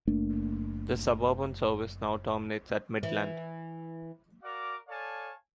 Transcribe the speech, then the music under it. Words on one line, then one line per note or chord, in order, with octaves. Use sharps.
The suburban service now terminates at Midland.
F#1 A3 A#3 D4
E3
F#4 A#4 D5 F5 D6
A4 C#5 D5 F5 G#5 A5